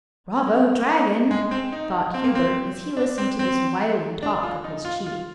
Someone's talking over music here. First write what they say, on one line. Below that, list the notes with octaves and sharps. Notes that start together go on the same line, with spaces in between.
"Bravo, Dragon!" thought Hubert, as he listened to this wily talk of his chief.
A#3
G#3
C4
D#4
C4
A#3
C4
D4
C4
C4
D4
F4
D#4
F4
F4